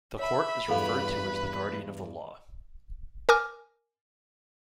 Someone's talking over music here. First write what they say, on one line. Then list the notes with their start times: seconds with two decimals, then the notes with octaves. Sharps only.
The Court is referred to as the guardian of the law.
0.19 C#5 E5 A5 B5
0.68 E2 G2 G#4 A4 B4 F5
3.29 A#4 G#5 D6 F6